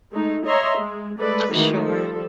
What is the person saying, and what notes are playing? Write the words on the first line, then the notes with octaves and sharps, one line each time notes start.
I'm sure.
G#3 A3 D#4
C#5 D#5 E5 A#5 C6
G#3
G#3 A3 A4 B4 D5
D#3 E3 G#3 A3 D#4 F#4
F3 G3 A4